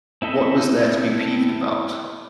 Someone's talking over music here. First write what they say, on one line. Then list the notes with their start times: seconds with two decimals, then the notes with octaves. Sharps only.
What was there to be peeved about?
0.22 C4 E4 A4 D#5 E5